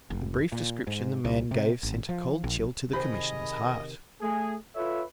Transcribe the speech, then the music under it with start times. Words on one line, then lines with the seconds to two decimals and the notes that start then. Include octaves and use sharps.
The brief description the man gave sent a cold chill to the Commissioner's heart.
0.10 F1
0.52 A#2
0.87 G#2
1.25 C2
1.51 C3
1.83 G#1
2.09 F3
2.44 A#1
2.93 C3 D#3 G4 G#4 A#4 C5 D#5 B5
4.21 A3 G#4
4.76 F4 A4 B4 C#5 E5